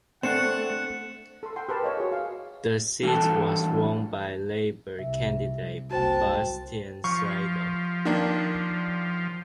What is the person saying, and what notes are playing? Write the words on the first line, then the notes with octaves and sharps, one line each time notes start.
The seat was won by Labor candidate Bastian Seidel.
A3 C4 D4 F#5 F#6 C#7 E7
A4 C6
F#5 G5 C6
G4 A#4 B4 A5
A#4 C#5 D#5 F5
F#4 G#4
F5
G2 E3 A3 A4 A5
C2 E5
F#1 C2 F#4 C5 G5 A5
F3 C#6
D#3 A#3 D4